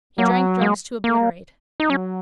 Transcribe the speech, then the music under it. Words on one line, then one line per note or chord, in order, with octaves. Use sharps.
He drank drugs to obliterate.
F#3 A#3
G#3
A#3
D#4
F#3 C#4